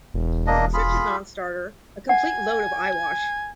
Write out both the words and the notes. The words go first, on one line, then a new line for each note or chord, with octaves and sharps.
It's such a non-starter, a complete load of eyewash.
E1
A#3 D4 D#5
F4 G#4 B5
F#5 G#5